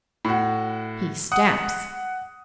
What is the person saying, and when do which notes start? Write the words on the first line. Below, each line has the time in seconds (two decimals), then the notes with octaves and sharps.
He stamps.
0.25 A2 F#4
1.32 F#5 D#6